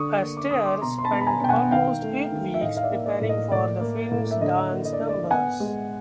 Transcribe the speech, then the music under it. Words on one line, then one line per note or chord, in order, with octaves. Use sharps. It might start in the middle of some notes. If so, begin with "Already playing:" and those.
Astaire spent almost eight weeks preparing for the film's dance numbers.
Already playing: D3 C#6 D#6
A#3
D6
D3 D#6
C6 D6
B2 A#5 C6
C6
A5 B5
B3
B5
G#5 A#5
B2 G5
F#5 G#5
D#3 F5 G5
A3
D#3
E5
A2 D#5 F5
F5
D5 E5
A#3
D5
A2
D#5
A2 D5
A#3
A2
E5
D3 D#5
A#3
D#5
D5
D3
D5
B3 F#5 G#5
G#3